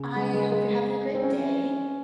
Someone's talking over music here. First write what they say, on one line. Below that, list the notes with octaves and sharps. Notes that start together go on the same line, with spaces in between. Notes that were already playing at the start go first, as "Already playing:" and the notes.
I hope you're having a great day.
Already playing: C#3
G#3
G#3
G#3
C4
C#4